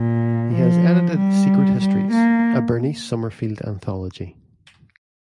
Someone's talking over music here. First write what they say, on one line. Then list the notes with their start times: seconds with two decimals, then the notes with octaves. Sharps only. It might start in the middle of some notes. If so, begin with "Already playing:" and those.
He has edited "Secret Histories", a Bernice Summerfield anthology.
Already playing: A#2
0.54 F3
1.18 G3
1.80 G3
2.12 A#3